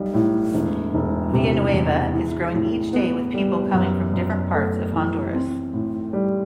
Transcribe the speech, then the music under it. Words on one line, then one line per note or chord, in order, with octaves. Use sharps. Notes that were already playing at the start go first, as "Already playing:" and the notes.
Villanueva is growing each day with people coming from different parts of Honduras.
Already playing: B1 G3
A2
E1
E1
C3
E2
E4
A2
B3
G3
F#2
F#2
A3
E3
C4
A2
G3